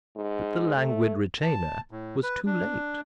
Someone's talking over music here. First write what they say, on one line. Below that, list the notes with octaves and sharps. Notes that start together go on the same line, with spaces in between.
But the languid retainer was too late.
G#2
A3
A5
A2
B4
D4